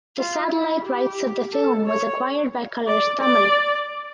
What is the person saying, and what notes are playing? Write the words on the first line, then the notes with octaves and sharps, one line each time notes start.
The Satellite Rights of the Film was acquired by Colors Tamil.
F4
E4
G4
A4
C#5
D5
D5